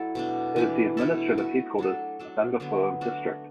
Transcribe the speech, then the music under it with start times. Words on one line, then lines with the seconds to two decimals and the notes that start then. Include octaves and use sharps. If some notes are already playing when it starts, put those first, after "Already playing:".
It is the administrative headquarters of Dungarpur District.
Already playing: F#3 E4 A4
0.15 B2 A3 D4
0.56 E3 D4 B4
0.97 B2 A3 E4 A4
1.38 A3 F#4 A4
1.79 F#3 D4 A4
2.19 F#3 D4 A4
2.60 D3 F#3 B3
3.01 A3 D4 F#4